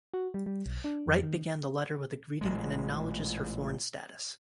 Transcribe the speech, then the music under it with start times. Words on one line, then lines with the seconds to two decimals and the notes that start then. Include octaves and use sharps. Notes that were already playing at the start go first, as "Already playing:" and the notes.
Wright began the letter with a greeting and acknowledges her foreign status.
0.14 F#4
0.34 G3
0.46 G3
0.66 B1
0.84 D4
1.08 F2
1.23 D#3
2.41 A1 A#2 G#3